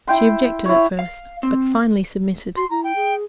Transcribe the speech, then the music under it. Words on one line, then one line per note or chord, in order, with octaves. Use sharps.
She objected at first, but finally submitted.
E4 G5 C6
E4 C#5
F5
C4
F#4 C6
E4 A#5
G5
G#4